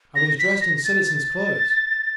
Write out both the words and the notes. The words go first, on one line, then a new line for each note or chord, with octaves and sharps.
I was dressed in citizen's clothes.
A#6
B6
A#6
A6
A6